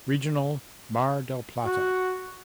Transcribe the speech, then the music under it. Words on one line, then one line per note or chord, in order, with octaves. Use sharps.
Regional Mar del Plata.
F#4